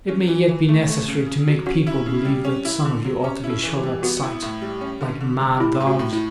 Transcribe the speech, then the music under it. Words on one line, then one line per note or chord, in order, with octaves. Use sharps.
It may yet be necessary to make people believe that some of you ought to be shot at sight like mad dogs.
C#4
E3
E3
A3
A3
C#3
C#3
F#3
C#4 F#4
E4
C#3
G3
C#4
E4
D3
F#3
C#4 G4
E4
A4
E3
G4
G3
B3 F#4
E4
A2
G3
C#4
D3
D3
G3
G3 E4
A2
F#4
A2
E4